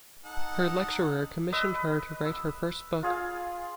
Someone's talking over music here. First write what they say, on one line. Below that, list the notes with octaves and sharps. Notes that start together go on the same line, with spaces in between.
Her lecturer commissioned her to write her first book.
D#4 A4 F#5
B4 D#5 E6
E6
F4 G#4 F5